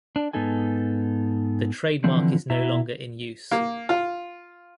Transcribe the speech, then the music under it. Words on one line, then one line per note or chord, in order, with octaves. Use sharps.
The trademark is no longer in use.
D4 D5
G#2 B3 D#4 A4 G#5
D3 E3 F3 C4 D4
B2 E4 E5 A#5
A#3
F4